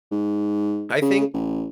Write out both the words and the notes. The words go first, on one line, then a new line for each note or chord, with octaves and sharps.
I think
G#2
C#3
A1